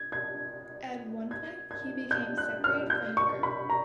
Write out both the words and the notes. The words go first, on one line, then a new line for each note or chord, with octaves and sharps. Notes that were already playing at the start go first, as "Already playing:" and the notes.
At one point, he became separated from the group.
Already playing: G#6
G#6
G#6
G#6
G6
F#6
F6
G6
C#6
B5
A#5